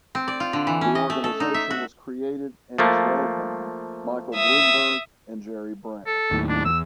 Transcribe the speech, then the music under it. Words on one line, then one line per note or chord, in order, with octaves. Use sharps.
The organization was created and is led by Michael Bloomberg and Jerry Brown.
C4
D5
F4
D3
E3
C#4
D#5
A3
A4
D#4
E5
F#4
F3 A3 A#3
E5 D#6
A4
D#2 A2
D4
E2 E6